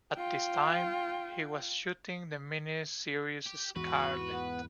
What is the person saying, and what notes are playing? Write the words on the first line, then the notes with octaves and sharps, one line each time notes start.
At this time, he was shooting the mini-series "Scarlett".
F4 G5
G4
E2 G#2 E3 F#4 B4
B3